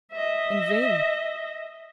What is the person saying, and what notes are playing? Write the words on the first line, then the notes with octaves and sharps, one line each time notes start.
In vain!
D#5 E5